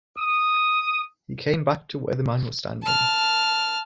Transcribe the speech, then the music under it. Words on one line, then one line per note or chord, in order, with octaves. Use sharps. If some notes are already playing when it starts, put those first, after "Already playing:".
He came back to where the man was standing.
D#6
A5 F6